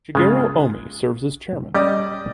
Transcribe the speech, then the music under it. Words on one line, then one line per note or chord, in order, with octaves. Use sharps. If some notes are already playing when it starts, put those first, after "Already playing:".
Shigeru Omi serves as chairman.
C#3 G#3 F4
G3 C#4 G4 D5 D#5 D6